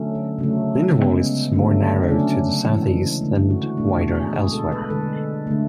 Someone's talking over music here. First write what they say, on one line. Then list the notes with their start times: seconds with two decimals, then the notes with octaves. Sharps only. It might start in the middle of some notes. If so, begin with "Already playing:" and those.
The inner wall is more narrow to the southeast and wider elsewhere.
Already playing: D3 F#3 A3 C#4
0.39 C#3 F#3 A3
0.95 C#3 G#3 B3
1.52 D3 F#3 A3
2.03 D4
2.08 C#3 F#3 A3 C#4
2.65 C#3 E3 G#3
3.21 D3 A3
3.50 F#4
3.64 E4
3.77 B2 A3 D4
3.96 F#4
4.15 G#4
4.34 B2 G#3 G#4
4.53 A4
4.72 B4
4.90 D3 G#3 A4
5.47 D3 A3